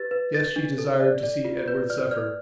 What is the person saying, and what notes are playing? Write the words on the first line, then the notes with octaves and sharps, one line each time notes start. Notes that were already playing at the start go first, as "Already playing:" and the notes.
Yes, she desired to see Edward suffer.
Already playing: G4 B4 A6
B4
A4 A6
D4
A4
D5
D5
F4
B4 G6
D5 F6
D5 F6